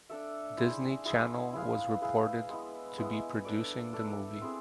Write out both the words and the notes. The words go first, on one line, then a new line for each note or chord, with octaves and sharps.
Disney Channel was reported to be producing the movie.
D4 A4 E5
E4 G#4 C5
E4 G#4 C5
E4 G#4 B4 F5
E4 G#4 B4 F5
G#3 B3 E4
G#3 B3 E4
D4 A4 D5
D4 A4 D5
C4 E4 G#4